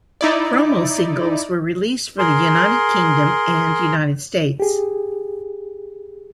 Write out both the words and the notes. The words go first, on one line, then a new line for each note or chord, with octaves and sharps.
Promo singles were released for the United Kingdom and United States.
D#4 E4 D5
G#4 A#4 C6
G4 G#4